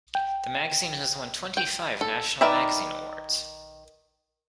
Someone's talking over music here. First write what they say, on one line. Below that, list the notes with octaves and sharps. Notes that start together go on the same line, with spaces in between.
The magazine has won twenty-five National Magazine Awards.
G5
G5
A4
D#3 A#4 B4 D5 E5